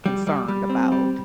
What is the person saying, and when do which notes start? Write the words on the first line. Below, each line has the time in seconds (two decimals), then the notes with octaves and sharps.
concerned about
0.06 G3
0.27 G3
0.48 G3
0.70 C4
0.92 G3